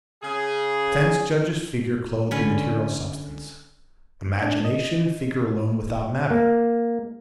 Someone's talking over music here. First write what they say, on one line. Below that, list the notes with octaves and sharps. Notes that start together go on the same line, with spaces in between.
Sense judges figure clothed in material substance, Imagination figure alone without matter.
C#3 G#4
D3 C#4 B4
D4
D#5
A#3